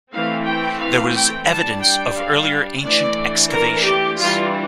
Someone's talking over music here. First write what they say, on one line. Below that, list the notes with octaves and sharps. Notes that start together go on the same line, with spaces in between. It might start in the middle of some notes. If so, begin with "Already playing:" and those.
There was evidence of earlier ancient excavations.
E3 A3 C4 F5
G5
F5
G5
G3 D4 A5
G5
F5
E3 A3 D4 D5
A#4
G4
E3 G3 D4 F4